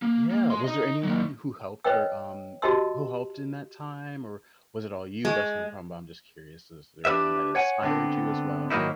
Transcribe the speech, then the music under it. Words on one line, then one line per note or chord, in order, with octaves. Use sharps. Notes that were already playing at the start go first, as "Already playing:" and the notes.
Yeah. Was there anyone who helped or, um who helped in that time, or was it all you? That's no problem, but I'm just curious, is there anyone that inspired you as well?
A#3
A#3
G#4 C6
D#4 D#5
F#3 A#3
B4 C#5 D#5 G5 E6
F#4 G4 D#5 A5 C6 E6
G#3
D4 G4 B4 E5
C#5 F#5 G#5
D3 B3 C4 D4
G#2 D#3 F#3 A#3 D#4 E4